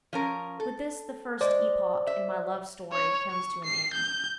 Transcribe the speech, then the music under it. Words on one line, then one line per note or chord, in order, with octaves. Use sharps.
With this the first epoch in my love story comes to an end.
F3 C#4 A#4
A4
G#3 C5 D5
E5
C#5
C#6
C7
G6